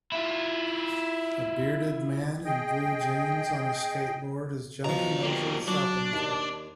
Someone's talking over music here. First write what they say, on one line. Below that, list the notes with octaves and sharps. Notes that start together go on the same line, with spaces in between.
A bearded man in blue jeans on a skateboard is jumping over a shopping cart.
E4 F4
G#4 D#5 G5
G#2 B2 F3 A#5
G3 A#3
F#3 D4
D#2